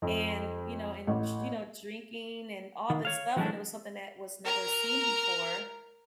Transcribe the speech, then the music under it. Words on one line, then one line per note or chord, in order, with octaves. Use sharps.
and you know, and d you know, drinking and all this stuff, and it was something that was never seen before,
F2
A1
D#3
C#5 F5
E3 F#3 G#3 A3 C#4 D4
A#4 A#5